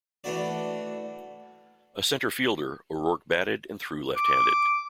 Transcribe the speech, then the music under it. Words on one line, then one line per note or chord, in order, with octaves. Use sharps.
A center fielder, O'Rourke batted and threw left-handed.
E3 A3 D4 F#4 D5
D6